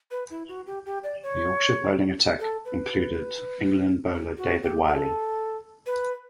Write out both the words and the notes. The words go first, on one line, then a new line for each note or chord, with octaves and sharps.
The Yorkshire bowling attack included England bowler David Willey.
B4
E4
F#4
G4
G4
D5
C#5
A4
B4
F#4
G4
A4
B4